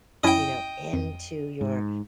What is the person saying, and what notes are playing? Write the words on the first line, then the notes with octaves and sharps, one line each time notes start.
you know, into your
F#2 C#4 E4 D#5 G5
F2
G#2